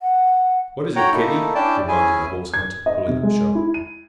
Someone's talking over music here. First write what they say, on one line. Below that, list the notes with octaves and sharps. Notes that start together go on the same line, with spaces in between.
"What is it, kiddie?" demanded the horse-hunter, pulling up sharply.
F#5
F#4 C#5 F#5 G5 A#5
A3 A#3 D#4 E4 A4
C#4 D4 E4 D5 G5 A5
C#4 E4 G#4 G#5
G#6
D#5
C3
G#3
E4
D#7